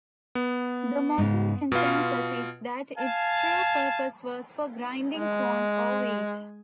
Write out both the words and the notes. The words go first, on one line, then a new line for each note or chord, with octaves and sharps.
The modern consensus is that its true purpose was for grinding corn or wheat.
B3
G#2 C#3
B2 F4 B4
F5 G#5 A5
G#3